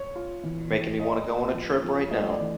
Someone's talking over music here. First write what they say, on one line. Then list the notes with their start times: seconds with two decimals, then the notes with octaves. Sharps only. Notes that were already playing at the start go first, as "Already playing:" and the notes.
You're making me wanna go on a trip right now.
Already playing: C#5
0.15 F4
0.43 E3
0.71 E3
1.00 A#2 D#5
1.27 A#2
1.55 F3
1.84 F3
2.11 A3 D#5
2.30 D5
2.40 E3